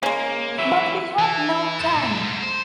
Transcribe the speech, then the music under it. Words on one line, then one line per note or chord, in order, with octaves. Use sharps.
But we have no time.
C#3 G#3 A#3
E3 F#3 E5
E3
A4 C5
A#2 A4
G#2
C5